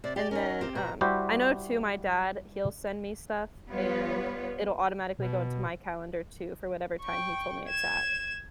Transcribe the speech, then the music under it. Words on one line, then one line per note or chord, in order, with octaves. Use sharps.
And then, um, I know, too, my dad, he'll send me stuff, and it'll automatically go into my calendar too, for whatever time he told me it's at.
C3 D5
G4 D5
C#4 D#4 A#4
C4 G4
B2 A#5
G3 E4 F#4 G4 C5
G3 B3 F4 B4 C#5
B2
G5 C#6
G#6 E7